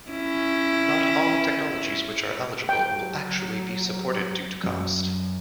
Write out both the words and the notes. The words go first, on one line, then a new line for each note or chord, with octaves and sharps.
Not all technologies which are eligible will actually be supported due to cost.
C#4 E4
F#3 G5
F#2